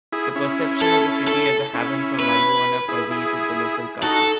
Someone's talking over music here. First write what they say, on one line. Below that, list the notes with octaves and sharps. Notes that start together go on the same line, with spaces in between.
The perception of the city as a haven for marijuana permeated the local culture.
E4 G#4
C#4 E4
A4
A4
C#4 E4
B4
E4 G#4
E4 G#4
D#4 F#4 A4